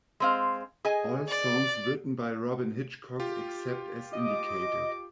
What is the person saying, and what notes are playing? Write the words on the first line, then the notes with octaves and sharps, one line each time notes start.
All songs written by Robyn Hitchcock except as indicated.
G#3 C4 F5
G#4 D#5 G#5
D5
F4 G4
D#5 D6